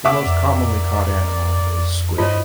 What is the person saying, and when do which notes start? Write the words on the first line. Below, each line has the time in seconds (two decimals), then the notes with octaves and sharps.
The most commonly caught animal is squid.
0.05 C3 A#3 C#5 E5 F#5 D6
0.25 F2 A#4 D5
2.18 G2 E4 F4 C5 C#5 D#5